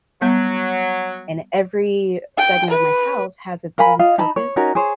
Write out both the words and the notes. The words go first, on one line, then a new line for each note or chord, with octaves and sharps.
and every segment of my house has its own purpose,
F#3 G3 B3 G6
G5
B4
A#4 F5 G#5 B5
F4 D#5 F5
D#4 A5 B5
C#5
C#4 D#4 F#4 A#4
G#4 C5 C#5